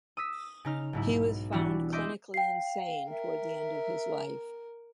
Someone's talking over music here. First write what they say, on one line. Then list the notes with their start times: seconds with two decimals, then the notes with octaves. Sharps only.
He was found clinically insane towards the end of his life.
0.17 D#6 E6 B6
0.65 C#3 D#4 F6
0.93 B1 G#2 E4
1.52 E3 G3 B3 D4 E4 F#4
1.93 D#5 E5 C6 D6 G6
2.34 F5 G5 C7
3.10 A#4 E5